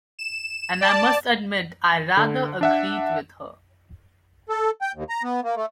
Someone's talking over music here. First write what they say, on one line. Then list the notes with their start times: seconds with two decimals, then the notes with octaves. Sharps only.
And I must admit I rather agreed with her.
0.19 E7
0.81 D5 A5
2.17 D3
2.61 D4 E5 F#5
4.49 A4
4.81 G5
4.95 D#2
5.09 A#5
5.23 B3
5.44 A#3
5.56 A3